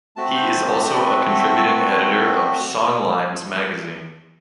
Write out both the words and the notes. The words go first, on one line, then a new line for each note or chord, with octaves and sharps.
He is also a contributing editor of "Songlines" magazine.
A3 C4 F#4 A5
C5
C5
D5
C5
D5
B4
A4
A4
B4